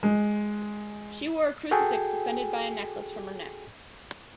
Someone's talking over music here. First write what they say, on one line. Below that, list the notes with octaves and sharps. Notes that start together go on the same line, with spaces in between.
She wore a crucifix suspended by a necklace from her neck.
G#3
F#4 G#4 A4 G5 G#5